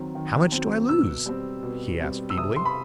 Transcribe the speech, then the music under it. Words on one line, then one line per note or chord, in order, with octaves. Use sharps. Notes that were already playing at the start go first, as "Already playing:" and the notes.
'How much do I lose?' he asked feebly.
Already playing: D#3 F#3 C4
D#3
F#3 C4
B2 E6
G3 C4
B2
G3 C4
E6
C3 D#6
C6
B5